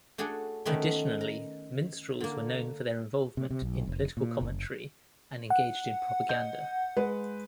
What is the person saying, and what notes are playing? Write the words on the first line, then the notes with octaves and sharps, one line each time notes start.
Additionally, minstrels were known for their involvement in political commentary and engaged in propaganda.
A3 D4 F#4 G#4 A4
D#3 A3 B3 C#4
A#5
D3 A#3
C3
C3
B1
F1
A#2
F#1
F#5
D#5 G6
G#3 B4